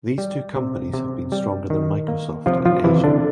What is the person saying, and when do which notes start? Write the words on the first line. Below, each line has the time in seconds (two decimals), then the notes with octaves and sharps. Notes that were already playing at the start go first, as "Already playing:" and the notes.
These two companies have been stronger than Microsoft in Asia.
0.18 G3
0.56 C3
0.94 C3
1.32 G3
1.70 D#3
2.08 A#3
2.46 C3 F3 F4
2.65 F3 F4
2.84 C3 E3 E4
3.04 D3 D4